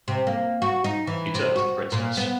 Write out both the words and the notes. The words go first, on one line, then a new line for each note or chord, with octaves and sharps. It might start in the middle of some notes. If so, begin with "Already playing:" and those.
He turned to the Princess.
C3
A#3
F#4
D#4
E3
C3
F#4
A#2
B3